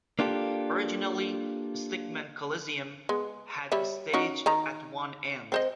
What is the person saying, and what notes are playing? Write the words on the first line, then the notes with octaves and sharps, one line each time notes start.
Originally, Stegeman Coliseum had a stage at one end.
A#3 D4 F4 G4 A4
G#3 B3
G3 C#5 E5
C#4 D#4 F#4
D#3 D#4 A#5
C4 C5 D#5